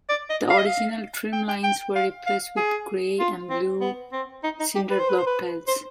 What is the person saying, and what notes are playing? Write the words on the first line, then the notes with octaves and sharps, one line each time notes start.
The original trim lines were replaced with gray and blue cinderblock tiles.
D5
D#5
F5
D#5
F5
G5
G5
G5
F5
F5
G#4
F4
C4
B3
C4
D#4
D#4
G4
B4
C5
B4
C5
B4
C5